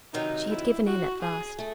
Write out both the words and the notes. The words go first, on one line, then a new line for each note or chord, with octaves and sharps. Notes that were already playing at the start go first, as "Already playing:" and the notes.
She had given in at last.
C3 D#3 F#3 D#4
E4
F#4
G#4
A3